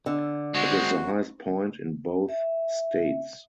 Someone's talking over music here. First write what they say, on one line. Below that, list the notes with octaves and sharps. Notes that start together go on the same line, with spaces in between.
It is the highest point in both states.
D3
G#3 C4 F#4
E5